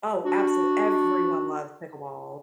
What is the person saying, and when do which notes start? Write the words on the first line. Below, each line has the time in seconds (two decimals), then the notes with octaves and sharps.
Oh, absolu everyone loves pickleball.
0.24 D4 F#4